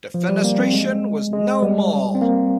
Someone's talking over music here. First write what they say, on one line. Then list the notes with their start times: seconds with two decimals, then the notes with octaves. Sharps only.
Defenestration was no more.
0.14 F3
0.29 G3
0.44 A#3
0.59 C4
0.74 G#3
1.33 G#3
1.62 G3
2.15 C4
2.22 A#3